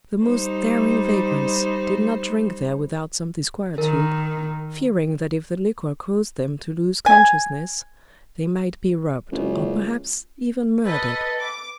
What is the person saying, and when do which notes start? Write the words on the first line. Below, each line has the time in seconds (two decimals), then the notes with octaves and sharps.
The most daring vagrants did not drink there without some disquietude, fearing that if the liquor caused them to lose consciousness, they might be robbed or perhaps even murdered.
0.23 G3 D#4 C5
3.78 D#3 A#4
7.06 G#5
9.32 F#1 C#2
10.85 A4 B4 D#5
11.40 D6